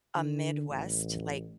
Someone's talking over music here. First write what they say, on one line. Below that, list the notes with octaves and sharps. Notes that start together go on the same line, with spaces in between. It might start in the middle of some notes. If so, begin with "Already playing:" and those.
a Midwest, like,
D3
A1